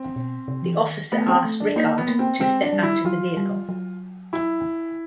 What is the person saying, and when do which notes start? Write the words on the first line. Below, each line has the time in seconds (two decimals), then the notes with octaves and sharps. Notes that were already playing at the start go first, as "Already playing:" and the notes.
The officer asked Rickard to step out of the vehicle.
Already playing: C4
0.16 B2
0.48 C3
0.62 F3
0.71 E3
0.79 D#3
1.12 A3 B3
1.28 C4
1.44 A3
1.60 D4
1.76 A#3 D#4
1.98 B3
2.08 A#3
2.19 C4
2.40 G#3 C4
2.61 D4
2.73 G3
2.83 E4
3.05 F#3 F4
3.37 G3
3.69 F#3
4.33 E4